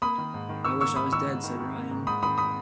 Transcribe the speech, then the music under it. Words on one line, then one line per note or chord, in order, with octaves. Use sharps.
"I wish I was dead," said Ryan.
A#3 B5 D#6
D#3
G#2
D#3
D#3 C#6 E6
A#3 C#6 E6
G#2 B5 D#6
D#3 C#6 E6
G#2
D#3
D#3
A#3
G#2
G#2 B5 D#6
D#3 B5 D#6
B5 D#6